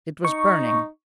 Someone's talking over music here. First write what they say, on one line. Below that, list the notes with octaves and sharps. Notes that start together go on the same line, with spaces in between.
It was burning.
D#4 C#6